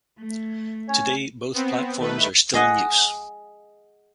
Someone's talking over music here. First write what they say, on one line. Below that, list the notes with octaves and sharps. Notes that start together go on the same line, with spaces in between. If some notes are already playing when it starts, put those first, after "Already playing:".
Today both platforms are still in use.
A3
C#4 C#5
B3 C4
D#3 A3 B4
G#4 D#5 F#5